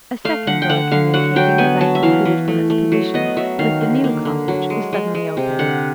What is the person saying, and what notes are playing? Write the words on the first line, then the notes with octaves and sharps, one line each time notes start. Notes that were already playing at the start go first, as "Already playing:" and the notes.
A second door communicating, as I concluded from its position, with the new cottage, was suddenly opened.
A3 F5
D3 F#5
G5
D3 F#5
D3 F5
F#3 F#5
F#3 G5
B3 G#5
F#3 A5
E5
E3 F5
E3
A3
A3
F#3
B3 D#5
F#3 E5
D#3 F5
D3
A#3
D3
F#3
G#3
G#3
G#3
C3
D3 F#5